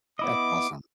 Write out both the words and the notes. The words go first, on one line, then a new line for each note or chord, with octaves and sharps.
That's awesome.
B3 E4 D#5 D6